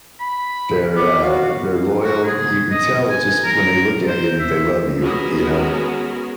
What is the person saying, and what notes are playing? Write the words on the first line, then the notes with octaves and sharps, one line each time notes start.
They're, uh, they're loyal. Th You can tell, just when they look at you, that they love you, you know?
B5
B3 D6
F#4 F5
F#4
G#4
D#5
G#5
A#4
C5
E5
G#3 B3 C#4 F#4 G#4 A#4